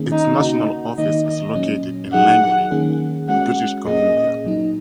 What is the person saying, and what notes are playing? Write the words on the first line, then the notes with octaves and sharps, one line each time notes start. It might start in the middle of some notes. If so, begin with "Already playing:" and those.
Its national office is located in Langley, British Columbia.
Already playing: D#3 A#3 C#4 G#4
D#4
C#3 A#3 D#4 F#4
D#3 A#3 D#4 D#5
D#5
A#2 F#3 C#4
F#3 D#4 G#4 F#5
D#3 A#3 C#4 G#4
G#3 C#4 F#4 F#5
A#2 A#3 C#4 G#4 D#5
A#2 F#3 D#4